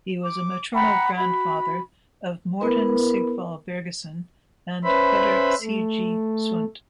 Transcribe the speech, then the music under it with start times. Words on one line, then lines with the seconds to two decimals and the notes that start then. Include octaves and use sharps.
He was a maternal grandfather of Morten Sigval Bergesen and Petter C. G. Sundt.
0.22 D6
0.74 F#5 G5 A#5 B5
1.16 F#4 B5
2.61 B3 E4 A#4 B4
4.84 C#4 B4 C5 E5 B5
5.61 A3